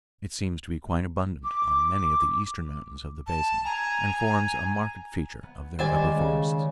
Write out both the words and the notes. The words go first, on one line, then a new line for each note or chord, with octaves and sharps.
It seems to be quite abundant on many of the eastern mountains of the basin, and forms a marked feature of their upper forests.
D6
A5
G#5 A#5
B3
D#3 G3 G#3 C5 D5 G#5
C#3